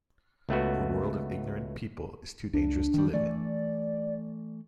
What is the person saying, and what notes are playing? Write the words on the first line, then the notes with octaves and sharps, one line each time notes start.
A world of ignorant people is too dangerous to live in.
C#2 A3 B3 F#4
C#2 D4
D#3 G3
E3 A3 D5